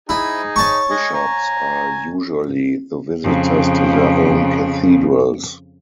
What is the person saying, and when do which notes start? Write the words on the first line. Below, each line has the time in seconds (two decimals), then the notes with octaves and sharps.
Bishops are usually the visitors to their own cathedrals.
0.09 D#4 E4 G#4
0.56 C#5 A5 C#6
0.91 D#5 G#5
1.15 G#5 A#5
3.23 F2 C#3